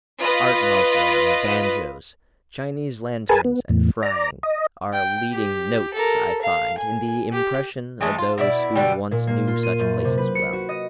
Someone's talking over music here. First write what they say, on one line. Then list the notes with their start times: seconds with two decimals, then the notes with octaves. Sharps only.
Art muslin and banjoes, Chinese lanterns and frying, are leading "notes," I find, in the impression of those who once knew such places well.
0.20 F4 B4 D#5
3.29 G#4 A#4 B4 G#5 A5
3.45 B3
3.69 E2 A2
4.03 D5 A#5
4.43 D#5
4.93 G5
5.32 G4
5.94 A4 A#4
6.42 F5
6.78 G#5
7.33 G4
8.01 E3 G#3 A3
8.18 F4
8.38 B2 E4 D5
8.75 B2 D3 G3
9.11 A#2
9.27 A#3
9.47 F4
9.63 D#7
9.79 F#2
10.04 C3
10.18 B4
10.35 C#7
10.53 F#4
10.69 D#5